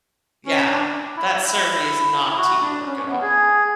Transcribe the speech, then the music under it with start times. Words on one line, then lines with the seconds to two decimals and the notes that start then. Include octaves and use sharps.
yeah, that certainly is not teamwork at all.
0.46 C#4
0.69 D4
1.17 E4
2.30 E4
2.38 F#4
2.62 D4
2.86 C#4
2.97 C#4
3.10 B3
3.22 G#4